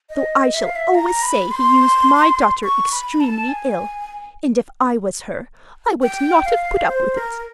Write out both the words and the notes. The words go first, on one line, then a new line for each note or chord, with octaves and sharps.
Though I shall always say he used my daughter extremely ill; and if I was her, I would not have put up with it.
D#5
E5
F5
E5
A#5
B5
C6
C#6
B5
A5
G#5
G5
F5
C5
A#4